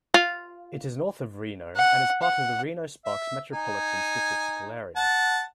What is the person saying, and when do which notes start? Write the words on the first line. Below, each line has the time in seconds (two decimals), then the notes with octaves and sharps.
It is north of Reno and is part of the Reno-Sparks Metropolitan Statistical Area.
0.14 F4
1.77 F#5
2.22 F#5
3.05 E5
3.53 D#4 G#5
4.96 F#5 A5